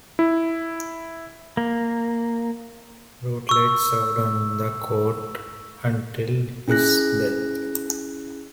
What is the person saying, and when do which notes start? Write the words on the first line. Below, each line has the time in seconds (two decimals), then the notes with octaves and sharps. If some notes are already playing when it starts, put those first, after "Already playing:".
Rutledge served on the court until his death.
0.19 E4
1.57 A#3
3.49 C#6 E6
6.68 C#4 E4 G#4 F#6 A#6